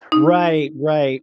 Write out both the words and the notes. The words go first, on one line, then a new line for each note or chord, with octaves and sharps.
Right, right.
D#4